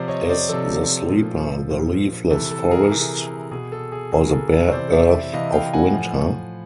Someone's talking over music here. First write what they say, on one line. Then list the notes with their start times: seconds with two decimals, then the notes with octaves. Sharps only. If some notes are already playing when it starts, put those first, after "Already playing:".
Is the sleeper the leafless forest or the bare earth of winter?
Already playing: C3 F3 C5 D5
0.08 C#5 D#5
0.24 D#5
0.29 C5 D5
0.49 C3 F3 A4
1.09 A#2 F3
1.70 A#2 F3
2.30 C3 E3 A4
2.51 A4
2.71 G#4 A#4
2.91 C3 E3
3.51 B2 G#4
3.72 A4
3.92 G#4
4.12 B2 G#4
4.25 A#4
4.33 A4
4.53 A4
4.68 C#5
4.72 C3 E3 C5 D5
4.93 D5 E5
5.33 C3 E3 D#5 F5
5.52 F5 G5
5.73 F#5 G#5
5.93 A2 F3